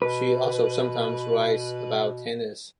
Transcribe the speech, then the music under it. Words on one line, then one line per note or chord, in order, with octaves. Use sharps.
She also sometimes writes about tennis.
B2 B4